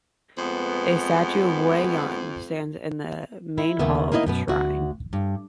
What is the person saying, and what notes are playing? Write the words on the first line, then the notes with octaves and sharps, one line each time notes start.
A statue of Wei Yan stands in the main hall of the shrine.
F2 G#3 A3 B3
E4
D#2 C#3 A#3 B3 E5
A#3 B3 D#4 E4 C#5 D#5
F#2 B2 B3
D2 F#4
G2